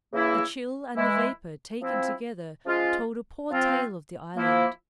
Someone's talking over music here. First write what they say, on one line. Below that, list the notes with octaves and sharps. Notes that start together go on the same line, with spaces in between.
The chill and the vapour taken together told a poor tale of the island.
C#3 E3 A#3 E4
E3 G#3 E4
F3 C4 E4
F3 G#3 C#4 F4
F3 C4 F4
F3 A#3 E4